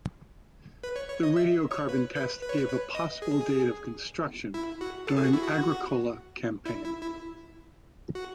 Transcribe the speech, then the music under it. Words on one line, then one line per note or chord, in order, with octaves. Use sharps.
The radiocarbon test gave a possible date of construction during Agricola campaign.
B4
C#5
C#5
D#5
E5
C#5
B4
B4
B4
C#5
B4
B4
D#5
G#4
E4
F#4
A4
G#4
F#4
E4
F#4
E4
E4
E4
F#4